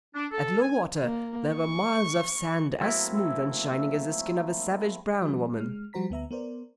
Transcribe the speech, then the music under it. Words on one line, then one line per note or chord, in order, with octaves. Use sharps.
At low water there were miles of sand as smooth and shining as the skin of a savage brown woman.
D4
A4
G#5
A#3
C#6
F#3 A3 A#3 C4 E4
F3 G3 F#4
G#3 F6
F3 G3 F#4 C5 A#5 B6
D2 B3 E5 A#5
B3 A#4 C5 D5